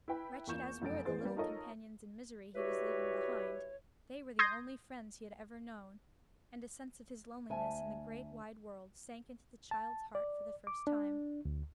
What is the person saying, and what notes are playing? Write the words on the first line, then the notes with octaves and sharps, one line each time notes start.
Wretched as were the little companions in misery he was leaving behind, they were the only friends he had ever known; and a sense of his loneliness in the great wide world, sank into the child's heart for the first time.
E4 B4 G5 B5
E2 A#3 F4 C#6 G6 E7
F1 F#2 A6 D7
A1 E3 B3 G#4 C5 A6
G3 B3 C#4
D#4 F4 A4 A#4 C#5 D#5
G3 E4 F#4 G4 B4 C#5
C6 D#6 G6 G#6 A#6 C7
D2 E5 G#5 A5
A5
D5
D6
D4
D2